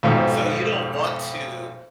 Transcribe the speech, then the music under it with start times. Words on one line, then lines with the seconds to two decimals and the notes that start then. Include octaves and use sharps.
so, you don't want to,
0.03 B1 F2 G#2 B2